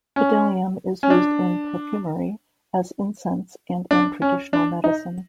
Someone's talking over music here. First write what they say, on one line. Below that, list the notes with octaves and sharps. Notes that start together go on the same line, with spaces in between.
Bdellium is used in perfumery, as incense and in traditional medicine.
C#4
C#4
D4
D4
C#4
D4
D#4